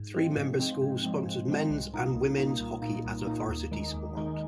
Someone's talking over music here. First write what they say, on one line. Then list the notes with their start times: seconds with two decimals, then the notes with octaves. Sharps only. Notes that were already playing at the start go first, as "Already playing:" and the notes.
Three member schools sponsor men's and women's hockey as a varsity sport.
Already playing: G#2
0.14 F3 G#3 C4
0.37 G#2
0.59 F3 G#3 C4
0.82 G#2
1.04 F3 G#3 C4
1.25 G#2
1.48 F3 G#3 C4
1.70 C2
1.93 A#2 A#3 D#4
2.15 C2
2.38 A#2 A#3 D#4
2.60 C2
2.82 A#2 A#3 D#4
3.05 C2
3.27 A#2 A#3 D#4
3.48 D#2
3.71 D#3 G#3 D#4
3.94 D#2
4.16 D#3 G#3 D#4